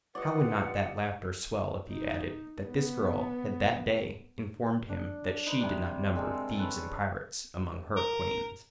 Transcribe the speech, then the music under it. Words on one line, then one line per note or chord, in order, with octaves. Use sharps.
How would not that laughter swell if he added that this girl had that day informed him that she did not number thieves and pirates among her acquaintance.
F4 G4 B4 D5 D#5 F#5
D#4
B3
D4
D#4 B4 C5
C3 G3 D4
G#3 C4 A4 A#4
A4 B4 C#5
A#4